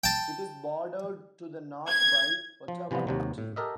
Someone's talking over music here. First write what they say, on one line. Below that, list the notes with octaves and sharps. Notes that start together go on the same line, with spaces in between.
It is bordered to the north by Ottawa County.
G5 A5
G#6
F3
C3 E3 F3 G3 B3
D#2 C3 F#3
A2
G4 A4 A#4 D#5 E5